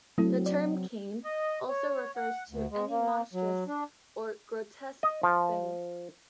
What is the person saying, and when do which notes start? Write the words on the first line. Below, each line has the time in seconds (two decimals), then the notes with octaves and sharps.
The term came also refers to any monstrous or grotesque thing.
0.18 F#3 A3 C4 E4 A4
0.46 D5
1.24 D#5
1.69 C#5
2.16 F#5
2.50 D2
2.72 G#3
2.90 A#3
3.33 F#3
3.68 D4
5.03 D#5
5.23 F3